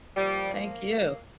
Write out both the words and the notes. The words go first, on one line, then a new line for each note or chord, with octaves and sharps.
Thank you.
A#2 F3 G3
A#3